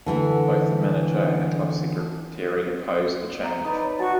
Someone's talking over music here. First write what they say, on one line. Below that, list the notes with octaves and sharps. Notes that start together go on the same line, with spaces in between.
Both the manager and the club secretary opposed the change.
D3 E3 A3
A#5
D#4 B4 D5
C#5
F#4 F#5 A5 C#6